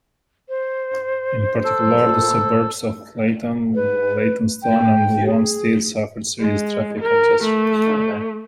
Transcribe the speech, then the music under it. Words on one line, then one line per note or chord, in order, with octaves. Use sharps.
In particular, the suburbs of Leyton, Leytonstone and Wanstead suffered serious traffic congestion.
C5
A4
B4
G5
G#4
G#3
A#4
A3